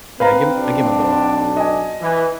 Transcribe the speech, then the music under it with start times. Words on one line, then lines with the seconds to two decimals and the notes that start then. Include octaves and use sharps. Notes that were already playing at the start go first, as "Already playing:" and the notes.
Yeah, I give him I give him a little.
0.20 C4 B4 F5 A#5
0.56 B1 D4
1.57 D#5 G#5
2.02 E3